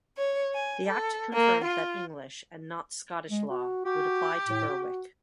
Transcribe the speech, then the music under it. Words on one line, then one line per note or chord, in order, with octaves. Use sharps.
The Act confirmed that English and not Scottish law would apply to Berwick.
C#5
G#5
A4
A#3
F4
G#3
F#4
F#4 G4
A2
F#4